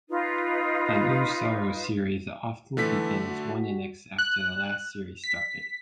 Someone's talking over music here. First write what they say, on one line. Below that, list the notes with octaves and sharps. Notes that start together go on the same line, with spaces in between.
A new saros series often begins one inex after the last series started.
D#4 F4 B4
D3 E3 A3 B6
F#4
F#6
B6